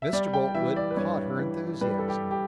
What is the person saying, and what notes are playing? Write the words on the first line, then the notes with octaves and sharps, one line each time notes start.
Mr. Boltwood caught her enthusiasm.
E5
G3 D5
G5
E3 E5
D5
B4
G2 C#5
E3
G3 B4
A4
G4
G4